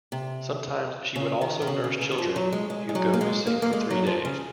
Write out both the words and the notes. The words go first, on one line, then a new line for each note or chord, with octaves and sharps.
Sometimes she would also nurse children who go missing for three days.
C3
C#3
D#3
D#3
C#3
C#3
C#3
D#3
F3
F#3
G#3
G#3
G#3
F#3
A#3
G#3
A#3
A#3
G#3
F#3
F3
C#3